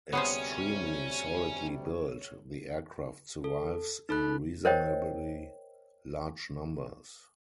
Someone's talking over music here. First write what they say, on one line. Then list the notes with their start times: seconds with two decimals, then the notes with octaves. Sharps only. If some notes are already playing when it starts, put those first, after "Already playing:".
Extremely solidly built, the aircraft survives in reasonably large numbers.
0.13 D2 C3 G3 B3 C#4 G#4 C5 C#5
3.44 A4
4.09 D#4 A4 B5 F#6
4.65 A#4 C5 C#5 D#5 G5